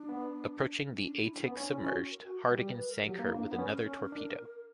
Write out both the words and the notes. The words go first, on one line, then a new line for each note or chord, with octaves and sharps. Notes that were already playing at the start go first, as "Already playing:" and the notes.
Approaching the "Atik" submerged, Hardegen sank her with another torpedo.
Already playing: D4
B3
C#4
D4
E4
D4
B3 C#4
C#4 D4
C#4 E4
C#4 F#4
A#4
F#4
F#4
G3 G4
B4
A#4
F#3 G4
A#3 E4
A#3 D4
D4
B3
C#4 A#4
C#4
D4